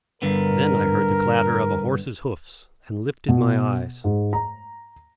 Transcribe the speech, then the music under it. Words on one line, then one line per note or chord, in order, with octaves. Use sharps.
Then I heard the clatter of a horse's hoofs, and lifted my eyes.
G2 D3 B3 A#4
B2
G#2
A#5